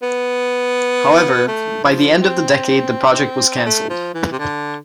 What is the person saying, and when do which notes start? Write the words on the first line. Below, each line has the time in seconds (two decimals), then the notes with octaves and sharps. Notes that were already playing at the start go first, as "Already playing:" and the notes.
However, by the end of the decade the project was cancelled.
0.02 B3
1.48 A3
1.84 F3
2.21 C4
3.66 A3
3.90 F3
4.14 E3
4.32 C3
4.39 D3